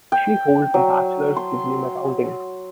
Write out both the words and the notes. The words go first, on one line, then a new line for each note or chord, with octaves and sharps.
She holds a bachelor's degree in accounting.
G5
F#3
C6